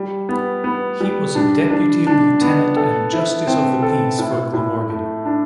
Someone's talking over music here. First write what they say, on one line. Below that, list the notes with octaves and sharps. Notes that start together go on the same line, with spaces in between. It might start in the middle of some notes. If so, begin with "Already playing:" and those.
He was a Deputy Lieutenant and Justice of the Peace for Glamorgan.
Already playing: G3
B3
B3
G3
D4
D4
D4
B3
A4
E4
C4
A4
A2
A2
A3
D4